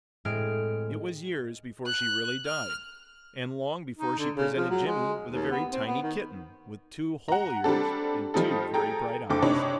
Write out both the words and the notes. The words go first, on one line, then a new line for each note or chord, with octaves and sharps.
It was years before she really died, and long before she presented Jimmy with a very tiny kitten with two whole ears and two very bright eyes.
A2 G#3 C4 F6 D7
F#6
F6
D#4
D3
C#3
F3
F#3
G#3
D#2
B3
C4
B3
D#3
F#5 A#5
G3 C4 D4 A4
F3 G3 D#4 A4
G#4 A4 G5 A#5
F#1 D3 A4 G5 D6
C3 D4 D#4 C#5 B5